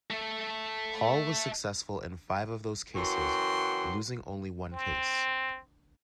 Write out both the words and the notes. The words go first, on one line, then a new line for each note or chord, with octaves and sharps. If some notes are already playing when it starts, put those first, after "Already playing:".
Hall was successful in five of those cases, losing only one case.
A3 A4
F#2 E3 F#4 G5 C6
C4